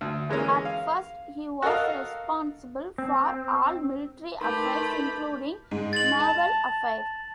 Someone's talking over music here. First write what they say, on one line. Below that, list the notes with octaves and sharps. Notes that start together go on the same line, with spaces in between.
At first, he was responsible for all military affairs, including naval affairs.
D2
E3 G#3 A#3 C#4
F5
F#4 A4 A#4 D#5 F5
C4
A3 D#4 G4 A#4 B4 G5 B5 C6
G#2
A6 F#7
A5